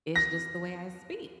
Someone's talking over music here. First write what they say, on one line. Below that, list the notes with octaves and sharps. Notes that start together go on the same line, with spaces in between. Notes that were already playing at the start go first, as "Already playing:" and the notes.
"It's just the way I speak,"
A#6